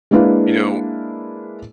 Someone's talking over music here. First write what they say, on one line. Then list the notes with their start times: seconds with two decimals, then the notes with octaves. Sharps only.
You know
0.11 G#3 A#3 D4 E4 B4 F5